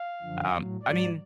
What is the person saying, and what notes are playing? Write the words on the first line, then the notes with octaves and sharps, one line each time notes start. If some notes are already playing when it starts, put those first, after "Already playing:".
Um, I mean,
Already playing: F5
F#2 D3 F3
A2 F#3
G#2 F#3 D5